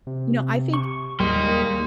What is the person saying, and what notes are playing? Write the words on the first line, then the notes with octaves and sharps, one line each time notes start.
you know, I think
C3
C#6
D#2 G3 G#3 D#4 A#4 C6
A#3